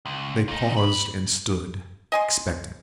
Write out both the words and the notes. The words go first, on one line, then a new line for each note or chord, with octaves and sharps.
They paused and stood, expectant.
C#2
A#2 D#4
A#2 B5
D#5 G#5 C6